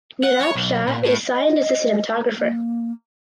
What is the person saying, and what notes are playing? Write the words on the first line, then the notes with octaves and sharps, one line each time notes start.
Nirav Shah is signed as the cinematographer.
F#5
C#5
B1
A#2
A2
D#5
A#3